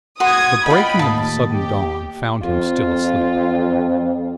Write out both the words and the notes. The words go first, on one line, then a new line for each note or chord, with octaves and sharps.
The breaking of the sudden dawn found him still asleep.
F#4 C6 D#6 G#6
F4 D#5 F#5 G5 B5
D#2 A2 D#5 A5
G4
F2 F4